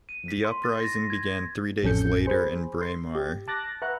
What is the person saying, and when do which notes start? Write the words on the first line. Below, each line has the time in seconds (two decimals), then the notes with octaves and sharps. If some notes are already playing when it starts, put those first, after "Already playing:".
The uprising began three days later in Braemar.
0.09 D#7
0.28 B6
0.45 C6
0.64 A6
0.80 A#6
1.10 G#6
1.83 A1 F2 C#4 A4 G6 C#7
2.26 G#4 C5 B5
2.81 C6
3.15 G4
3.48 A5 D6 F#6 A6 A#6
3.82 B4 E5 F#5 A#5 C#6 F#6